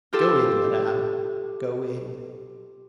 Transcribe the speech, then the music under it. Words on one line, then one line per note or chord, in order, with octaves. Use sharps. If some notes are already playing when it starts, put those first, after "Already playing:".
"Go in, madam, go in."
F4 G4 A4 E6